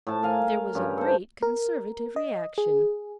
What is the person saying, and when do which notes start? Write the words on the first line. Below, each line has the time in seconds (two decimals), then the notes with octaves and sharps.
There was a great Conservative reaction.
0.07 A2 A5
0.23 A#4 F5 G#5
0.75 G2 C#3 G3
0.98 A4 C5
1.43 A#4
2.16 D#5
2.58 G#4